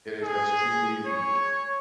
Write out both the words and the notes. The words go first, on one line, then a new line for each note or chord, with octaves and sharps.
It is extremely weak.
G#4
C#5